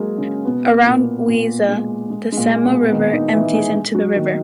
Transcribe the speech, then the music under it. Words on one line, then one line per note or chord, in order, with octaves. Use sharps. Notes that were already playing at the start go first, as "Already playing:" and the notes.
Around Wiesa, the Sehma river empties into the river.
Already playing: F#3 G#3 A#3 G#4 A#4
C#3 C#4
B2 B3
A#2 A#3
A#2 A#3
G#3
G#3
G#3
A#2 A#3
B2 B3
D#3 D#4
D#3 D#4
E3 E4
G#3 G#4
G#3 G#4
F#3 F#4
D#3 D#4